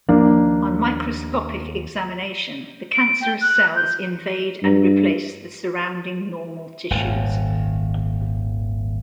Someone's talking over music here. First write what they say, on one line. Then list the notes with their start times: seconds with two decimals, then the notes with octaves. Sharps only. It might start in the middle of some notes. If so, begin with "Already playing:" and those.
On microscopic examination, the cancerous cells invade and replace the surrounding normal tissues.
0.09 D#2 F3 A#3 D4
2.93 D7
3.21 G5
3.41 F#6
3.76 G6
4.62 G2
6.91 D#1 G#1